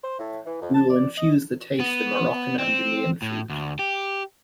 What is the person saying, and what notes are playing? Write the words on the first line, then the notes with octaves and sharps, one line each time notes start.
We will infuse the taste of Moroccan and Indian food.
C5
A2
E3
F2
A5
D5
D#5
B3
C4
A2
D2
G4